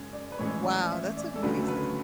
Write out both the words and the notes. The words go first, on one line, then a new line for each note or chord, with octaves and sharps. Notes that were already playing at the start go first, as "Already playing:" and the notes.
wow, that's amazing!
Already playing: F#2 C#3 G#3 C#4
D5
B4
A2 E3 G#3 C#4 C#5
D5
E5
D5
A4
D2 C#3 F#3 A3 B4
A4
B4